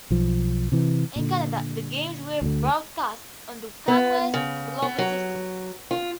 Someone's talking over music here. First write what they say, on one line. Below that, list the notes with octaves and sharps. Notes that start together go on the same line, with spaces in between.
In Canada, the games were broadcast on the CanWest Global System.
B1 F3
C3 E3
A#2 D3
D2 D3
B3
C#3
B3
F#3
F4